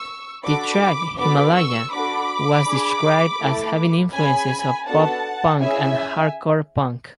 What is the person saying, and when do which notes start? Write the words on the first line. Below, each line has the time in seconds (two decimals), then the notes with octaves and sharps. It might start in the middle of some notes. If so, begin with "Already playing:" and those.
The track "Himalaya" was described as having influences of pop punk and hardcore punk.
Already playing: C#6 E6
0.44 D4 F#4 A4 B5 D6
1.18 B3 D4 F#4 A4 B5 D6
1.55 C#6 E6
1.92 D4 F#4 A4 B5 D6
2.65 D4 G#4
3.39 A3 E4 A4
4.13 C#4 G#4 G#5 B5
4.87 B3 D4 F#4 A4 F#5 A5
5.60 C#4 E4 G#4 E5 G#5